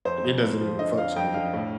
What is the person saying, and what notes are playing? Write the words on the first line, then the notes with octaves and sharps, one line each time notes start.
like, it doesn't even function anymore.
F2 C5
F2
F2
F3
D3 D#5
F2 F5
F2 G5
D3 F5
A2